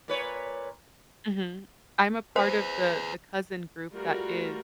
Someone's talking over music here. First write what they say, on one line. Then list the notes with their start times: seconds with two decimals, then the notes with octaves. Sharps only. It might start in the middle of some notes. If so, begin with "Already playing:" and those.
Mhm. I'm a part of the the cousin group that is
0.08 A#2 B4 C#5
2.36 G#4 B4 C5
3.92 G3 A3 F4 F#4 A#4